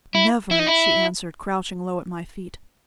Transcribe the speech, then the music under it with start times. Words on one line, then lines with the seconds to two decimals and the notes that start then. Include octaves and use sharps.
"Never!" she answered, crouching low at my feet.
0.15 E4
0.51 E4
0.59 D#4
0.67 E4